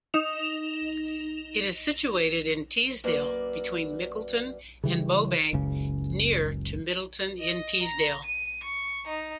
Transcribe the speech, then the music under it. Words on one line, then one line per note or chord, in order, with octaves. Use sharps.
It is situated in Teesdale between Mickleton and Bowbank, near to Middleton-in-Teesdale.
D#4 E7 F7
F#2 A#3 B4 D5
C#3 E3 G3
F#1 C#2 C#3
D#5
A#5
D#7
C#6
D#4